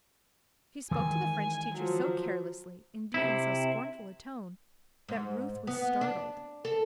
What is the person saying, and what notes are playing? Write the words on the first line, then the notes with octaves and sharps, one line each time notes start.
She spoke to the French teacher so carelessly--indeed, in so scornful a tone--that Ruth was startled.
D#3 E3 G#3 G#5
F3 F#3
C3 E4
G#2
B3
D4
A4